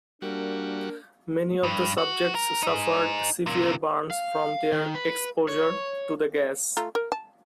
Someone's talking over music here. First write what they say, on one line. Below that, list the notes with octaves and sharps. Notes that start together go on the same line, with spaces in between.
Many of the subjects suffered severe burns from their exposure to the gas.
G3 A#3 D4 F#4 A#4
G2
F#4
A#4
D#4 G#4
C3 A#3
F5
D#3
B4
C#5
A3 F4 A#5
A#4
A5